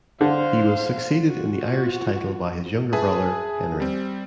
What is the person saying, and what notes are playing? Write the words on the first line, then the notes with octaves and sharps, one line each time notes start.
He was succeeded in the Irish title by his younger brother, Henry.
D3 C5 F5
F4 F#4
G#4 B4 E5 G#5 A5
G3 C4